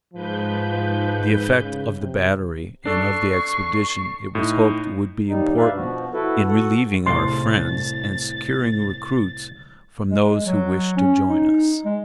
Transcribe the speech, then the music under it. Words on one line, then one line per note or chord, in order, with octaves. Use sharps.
The effect of the battery and of the expedition, it was hoped, would be important in relieving our friends and securing recruits from those who wished to join us.
G#2 F3 B4 G6
C#3
C3
D4 A4 C#6 C7
A2 D#4
D#2 G3 D#4
G2 D4 B4 D5 E5 F5
B2 F3 F#4
E4 F#4 A4 B4
F#4 A4 F#5
C2 A2 C6 A6
G#3
F#3
C#4
D#4
G#3